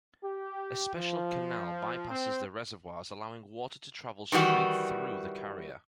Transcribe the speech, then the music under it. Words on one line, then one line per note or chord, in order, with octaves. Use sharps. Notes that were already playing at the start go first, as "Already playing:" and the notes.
A special canal bypasses the reservoirs allowing water to travel straight through the carrier.
G4
F3
C4
D#3 E3 G3 F#4